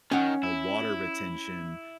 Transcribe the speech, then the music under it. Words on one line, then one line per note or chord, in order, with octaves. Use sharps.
the water retention,
D#3 C#4 F#5
E4